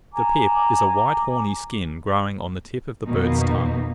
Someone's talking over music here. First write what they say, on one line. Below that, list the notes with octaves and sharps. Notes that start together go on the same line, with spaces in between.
The pip is a white horny skin growing on the tip of the bird's tongue.
G#5 A#5 D6
F2 B2 D#3 A#3 D#4